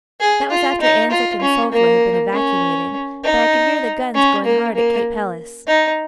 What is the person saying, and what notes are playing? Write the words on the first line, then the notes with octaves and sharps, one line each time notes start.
That was after Anzac and Suvla had been evacuated, but I could hear the guns going hard at Cape Helles.
G#4
F4
D#4
F4
C#4
A#3
C#4
D#4
C#4
A#3
A#3
D#4